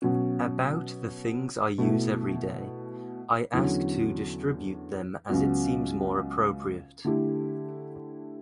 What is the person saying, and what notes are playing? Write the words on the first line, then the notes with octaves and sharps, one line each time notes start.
About the things I use everyday, I ask to distribute them as it seems more appropriate.
B2 F#3 C#4
B2 A3 E4
E2 D3 F#3 C#4
C#2 C#3 F#3 B3 F#4
D3 A3 E4 G4